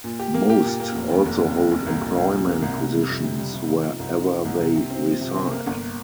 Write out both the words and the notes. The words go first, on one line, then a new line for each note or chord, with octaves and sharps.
Most also hold employment positions where ever they reside.
A#2
G4
A#3
G4
A#2
A#3
F1
D#2
F1
F1
F1
F1
C2
A#2
C2
A#2
A#3
C2
C3
G3
F2
C3
G3
C3
D#4
F3
C2
D#4
F3
C2
C3
C3
C4
F3
C3
C3
A#3
G1